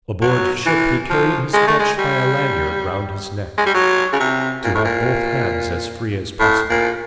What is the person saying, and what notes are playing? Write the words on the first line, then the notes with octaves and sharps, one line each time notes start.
Aboard ship he carried his crutch by a lanyard round his neck, to have both hands as free as possible.
F#3
E3
F3
G#3
A3
G#3
G3
G#3
G3
F#3
C#3
C3
A#2
A2
A#2
A2
A#2